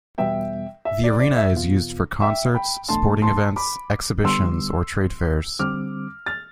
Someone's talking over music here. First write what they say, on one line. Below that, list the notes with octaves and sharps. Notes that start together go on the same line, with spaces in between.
The arena is used for concerts, sporting events, exhibitions or trade fairs.
E2 B2 G3 B3 E5 G5
E5
D5
D5
E5
E2 B2 B3 F4
E5 G5
G5 B5
E2 B2 A3 D4 A5 C6
A5 C6
B5 D6
D3 G3 B3 C6 E6
D3 G3 C4 D6 F6
F6 A6